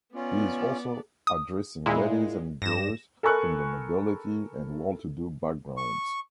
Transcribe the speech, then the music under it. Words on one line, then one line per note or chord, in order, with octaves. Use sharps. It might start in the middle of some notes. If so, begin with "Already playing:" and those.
He is also addressing ladies and girls from the nobility and well-to-do backgrounds.
B3 C#4 F4 D5
D#6
A#2 G#3 E4
G2 A#6 E7
A4 A#4 G#5 B5 C#6 F#6
C#6